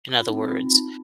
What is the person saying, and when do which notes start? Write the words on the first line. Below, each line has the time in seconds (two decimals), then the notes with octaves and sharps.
in other words.
0.20 F4
0.28 D4 D#4
0.31 C4
0.51 F4
0.73 D#4